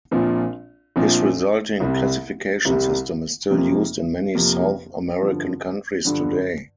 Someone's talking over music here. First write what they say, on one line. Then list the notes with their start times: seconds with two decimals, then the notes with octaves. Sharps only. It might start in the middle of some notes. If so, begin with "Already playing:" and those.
His resulting classification system is still used in many South American countries today.
0.11 A#1 A#2 F3 C4
0.96 A#1 A#2 F3 C4
1.80 C2 C3 G3
2.65 C2 C3 G3
3.50 F2 C3 F3 A#3
4.35 F2 C3 F3 A#3
5.21 G2 D3 F3
6.05 G2 D3 F3